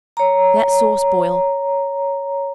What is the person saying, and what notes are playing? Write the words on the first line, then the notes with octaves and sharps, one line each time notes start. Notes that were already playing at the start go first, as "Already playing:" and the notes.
Let sauce boil.
C#5 A#5